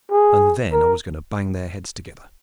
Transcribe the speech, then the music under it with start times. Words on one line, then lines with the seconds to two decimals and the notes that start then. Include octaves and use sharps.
And then I was going to bang their heads together.
0.12 G#4
0.72 A#4